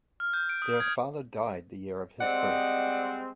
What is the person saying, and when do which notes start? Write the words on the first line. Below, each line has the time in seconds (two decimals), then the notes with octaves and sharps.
Their father died the year of his birth.
0.20 F6
0.33 G6
0.49 D7
0.62 D#6
0.80 G#6
2.21 G3 G#3 C4 D5 D#5 F#5